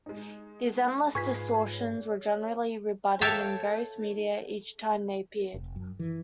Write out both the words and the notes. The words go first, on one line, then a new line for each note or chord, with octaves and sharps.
These endless distortions were generally rebutted in various media each time they appeared.
G#3 D#4
G#2 F4 G#4 B4 C#6 G#6 B6
A4 C#5 E5 F5 G5 A5
F1
F#2
E3